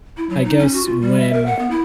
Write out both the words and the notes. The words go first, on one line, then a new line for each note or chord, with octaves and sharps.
I guess when,
E4
F#3
D#4
C#4
F#4
F4
G3
E5
A#4
F#5
B3
E4